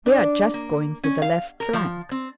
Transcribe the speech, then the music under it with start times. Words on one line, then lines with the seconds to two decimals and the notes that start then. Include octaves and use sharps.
We are just going to the left flank.
0.06 D4
0.54 A#3
1.04 C#4
1.22 F5
1.60 A#4
1.73 F3
2.11 C4